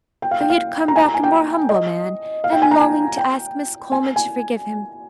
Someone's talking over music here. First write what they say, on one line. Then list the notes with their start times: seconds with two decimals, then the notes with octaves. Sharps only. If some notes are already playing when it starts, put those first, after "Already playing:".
So he had come back a more humble man, and longing to ask Miss Coleman to forgive him.
0.22 G5
0.31 F5
0.40 G5
0.50 F5
0.88 A#5
0.96 G#5
1.05 A#5
1.14 G#5
1.23 G5
1.69 D#5
2.44 F5
2.52 G5
2.62 G#5
2.71 A#5
2.80 G#5
3.17 G5
3.92 G#5
4.16 G#5